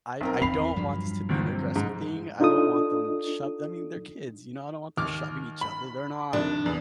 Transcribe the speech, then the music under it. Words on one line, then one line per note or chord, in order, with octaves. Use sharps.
I I don't want this to be an aggressive thing, I don't want them shove I mean, they're kids, you know, I don't want them shoving each other. They're not
B1 C4 A#4
E2 C4 B5 C7 F7
G2 F3 F#3
A#1 E2 D#3
C3
G#2
D4 D#4 F4 A4 D#6
D#2 D6 F6
B5
F2 C3 D#3 D4
E2